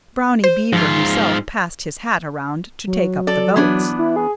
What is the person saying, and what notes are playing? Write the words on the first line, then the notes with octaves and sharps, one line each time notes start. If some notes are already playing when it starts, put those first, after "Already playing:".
Brownie Beaver himself passed his hat around to take up the votes.
C5
G#2 F3 F4
F#3
A4 D5
E3 B3 D4
E4
G#4